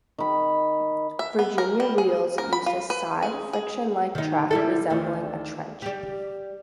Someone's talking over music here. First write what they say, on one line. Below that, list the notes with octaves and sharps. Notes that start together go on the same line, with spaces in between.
Virginia Reels used a side friction-like track resembling a trench.
D#3 B5
E5
B3
A#4
G3
G#4
A#4
B5
F4
B4
G#4
G#4
D#3 D#4
G3 E4 A4
D2 D3 D#3
G3 G4